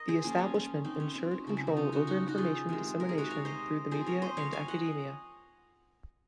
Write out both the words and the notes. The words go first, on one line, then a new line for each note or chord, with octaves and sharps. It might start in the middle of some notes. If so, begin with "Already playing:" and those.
The Establishment ensured control over information dissemination through the media and academia.
Already playing: A#4 D#5
G#4 C5
F3 A#3 C#4 F4
C#4
C#4
C4 D#4
C#4
C4
C#4
C#3 F3 C4
C#4
C4 D#4
C#4 F4
D#4 F#4
D#4 F#4
D#4 F#4
F4 G#4
C3 D#3 G#3
A#4
G#4
F#4 A#4
C#5 F5
C5 D#5
F3 C4 G#4 C5
A#4 C#5
C5 D#5
C#5 F5
F5 G#5
D#5 F#5